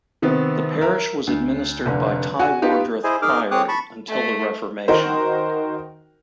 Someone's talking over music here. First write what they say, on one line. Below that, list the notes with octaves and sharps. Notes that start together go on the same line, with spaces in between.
The parish was administered by Tywardreath Priory until the Reformation.
C3 D#3 B3 C4
A#4 E5
D2
F1 D3
F#4 F#5 G#5
B3 D#4 F4 G4 B4
E4 G#4 C5 D#5 G#5
D#4 G#4 A#4 D6 F6
C4 G#4 C#5 D6 D#6 F#6
A5 B5 C#6
A3
D#3 D#4 F#4 A#4 C5